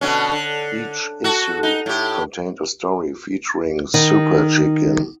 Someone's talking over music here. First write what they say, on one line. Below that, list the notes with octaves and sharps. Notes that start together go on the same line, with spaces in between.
Each issue contained a story featuring Super Chicken.
B2 D3 C#4
D3
F#4 A4
D#4
A2 G4
D#3